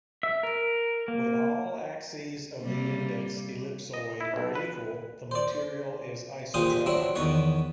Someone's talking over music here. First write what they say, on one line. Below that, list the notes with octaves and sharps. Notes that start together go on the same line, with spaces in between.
When all axes of the index ellipsoid are equal, the material is isotropic.
E5
A#4
A#3
C3 G3 A#3
D#5
E4
B1
B4
C5 D5
A#2 G4 G#4 C5 F5 D#6
F#3 C4 D4 E4
E2 D#3 B3 C#5 F#5